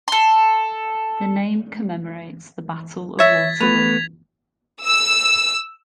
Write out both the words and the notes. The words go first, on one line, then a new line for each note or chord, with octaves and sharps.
The name commemorates the Battle of Waterloo.
A4 C6
C#5 E5 G#6 A6 B6
A3 B3 B4 F7
E6